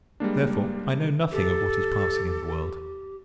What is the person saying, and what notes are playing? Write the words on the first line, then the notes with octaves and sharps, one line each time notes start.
Therefore, I know nothing of what is passing in the world.
G3 G#3 A#3 D4
G4 A4